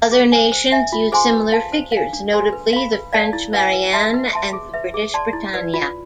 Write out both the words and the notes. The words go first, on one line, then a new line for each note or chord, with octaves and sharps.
Other nations used similar figures, notably the French Marianne and the British Britannia.
G#4
C5 G#5
C5
E5 G#5
F4
G#4 C5 G#5 C6
B4
F5 A5
C5
F5
G#5
D4
A4 C5 G#5 C6
B4
F5 B5
B4
D5 F5 A5
E4
B4 F5 G#5
B4
E5 A5 C6
B4
E5 A5 C6
G#4
B4 E5
G#4
D5 A5 C6
E4
B4 D5
F4